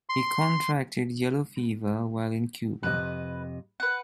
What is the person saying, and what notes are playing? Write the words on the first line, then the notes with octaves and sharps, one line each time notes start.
He contracted yellow fever while in Cuba.
C6
F2 C3 B4 D#5
B4 F#5